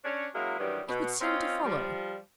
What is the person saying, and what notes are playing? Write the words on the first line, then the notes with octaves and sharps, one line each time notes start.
'It would seem to follow.'
C#4 D4 C#5
F#3 G#3 A#3 C#4 E4
G2 D#3 E3 F#3 G3
B2
C4 C#4 D#4 F4
F3 G3